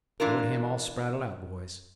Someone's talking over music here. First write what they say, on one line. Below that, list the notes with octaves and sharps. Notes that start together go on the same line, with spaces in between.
Go to him all spraddled out, boys.
E3 D4 F4 A#4